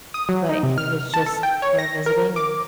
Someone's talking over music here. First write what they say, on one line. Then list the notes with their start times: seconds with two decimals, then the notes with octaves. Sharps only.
but he was just there visiting and
0.14 D#6
0.29 F#3
0.49 D#4
0.63 C3
0.78 F6
1.14 A5
1.26 A4
1.43 G5
1.62 C#5
1.79 A#6
2.06 A#4
2.36 D6